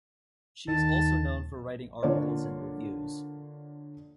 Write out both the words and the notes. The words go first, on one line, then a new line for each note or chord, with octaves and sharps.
She is also known for writing articles and reviews.
D#2 D#3 A5
D3 A#3 D4 F4 C#5 D5